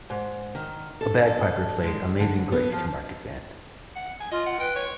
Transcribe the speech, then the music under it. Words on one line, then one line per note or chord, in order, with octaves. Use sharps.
A bagpiper played "Amazing Grace" to mark its end.
G#2
D#3
A4
A4
G#3
D3
B3
F3
F#5
G#5
F4 D#5
F#5
B4 G5
C#5